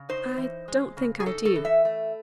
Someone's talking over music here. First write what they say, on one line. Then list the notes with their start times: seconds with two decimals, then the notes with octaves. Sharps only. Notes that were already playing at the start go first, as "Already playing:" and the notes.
'I don't think I do.
Already playing: C#3
0.09 D#4 C5
0.37 E3
0.68 G#3
0.97 C#3
1.20 G#4
1.26 D#4 A4
1.45 A4
1.56 E3
1.65 E5
1.85 A3